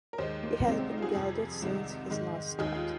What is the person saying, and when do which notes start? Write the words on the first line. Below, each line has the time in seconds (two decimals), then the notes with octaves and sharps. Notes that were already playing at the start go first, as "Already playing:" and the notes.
He has been gelded since his last start.
0.13 A#4
0.18 D#2 D#3 G#3 C5
0.43 A#3
0.67 C2 C3 D#3 G#3 C4
0.79 C4
0.91 D#4
0.98 F4
1.02 G#4
1.14 F2 C3 F3 G#4
1.62 C2 C3 D#3 G#3
2.10 G#2 D#3 G#3
2.58 D#2 D#3 G#3 G#4
2.75 F4